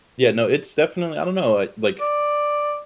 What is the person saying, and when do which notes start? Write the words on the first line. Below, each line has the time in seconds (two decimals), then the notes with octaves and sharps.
Yeah, no, it's definitely I don't know it, like
2.00 D5